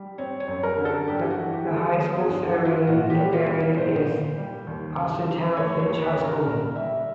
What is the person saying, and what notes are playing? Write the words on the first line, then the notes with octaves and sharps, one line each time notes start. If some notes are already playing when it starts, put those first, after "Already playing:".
The high school serving the area is Austintown-Fitch High School.
Already playing: G3
C4 C#5
C#5
F#2
A#4
D3
A4
G2 G4
F#4
E3
G4
G#3
A4
B3 G#4
G#4
G2
F#4
E3
F4
A#2 F#4
G4
G3
F4
B3
A#2 C5
A#2
G3
D#2
C#3
F3
A3 C#5
C#5
D#2
B4
C#3
A#4
A#2 A#4
G3 E5